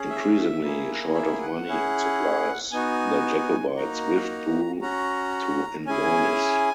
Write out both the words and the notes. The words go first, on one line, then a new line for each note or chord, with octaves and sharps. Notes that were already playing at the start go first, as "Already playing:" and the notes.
Increasingly short of money and supplies the Jacobites withdrew to Inverness.
Already playing: C#4 G#4
E5
A#3 E4 G#4
E5
F#5
C#4 E4 G#4
B3 D#4 F#4 G#5
A#3 D#4 F#4 A#5
C#4 F#4 A#5
C#4 E4 G#4 G#5